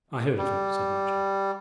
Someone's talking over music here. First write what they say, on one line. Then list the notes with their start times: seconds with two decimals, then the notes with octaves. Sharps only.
"I heard of her," said Matcham.
0.38 G3